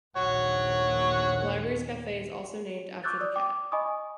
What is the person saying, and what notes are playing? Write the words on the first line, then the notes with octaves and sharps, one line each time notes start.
The Library's cafe is also named after the cat.
A#1 D#2 C#5 F#5
C#6 D6 E6 F#6 G6 A6
D5 D#6
G5 D6
D#5 G#5 B5 C#6 D#6